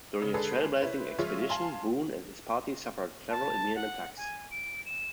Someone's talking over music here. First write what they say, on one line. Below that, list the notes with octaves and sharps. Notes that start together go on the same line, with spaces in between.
During this trail-blazing expedition, Boone and his party suffered several Indian attacks.
C#3
D3 G#3 D4 G#4 A4 B4
C#4 E4 B4 C5
F3 G#3 F4 C#5 E5
F5 G#5 A5 C6
A5
F#5
G#5
D7
E7